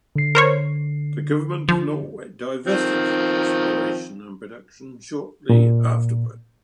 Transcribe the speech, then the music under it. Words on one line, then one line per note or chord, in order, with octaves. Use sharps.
The government of Norway divested from exploration and production shortly afterward.
D3 C7
A#4 C5 C#5
F3
D#3 F3 C4
A#2